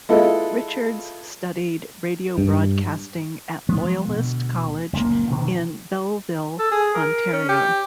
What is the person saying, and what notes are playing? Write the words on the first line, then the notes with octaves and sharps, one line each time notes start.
Richards studied radio broadcasting at Loyalist College in Belleville, Ontario.
G#3 E4 F4 A4 B4
G2
F3 G#3 B3
D2 B2
F#1 C#2 A#2 A#3
D2 G2 B2 D#3
A4
G#4
A#4
C#4
G4